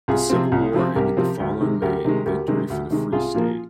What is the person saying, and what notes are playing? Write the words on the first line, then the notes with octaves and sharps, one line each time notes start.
The Civil War ended the following May in victory for the Free State.
C2 F4 G#4
C3 F3 C4
C2
C3 F3 C4
C2 G4 A#4
C3 F3 C4
D2
C3 D#3 G#3
D2 G4 A#4
C3 D#3 G#3
D2 G4 A#4
C3 D#3 G#3
D2
C3 D#3 G#3
C2 F4 G#4
A#2 F3 A#3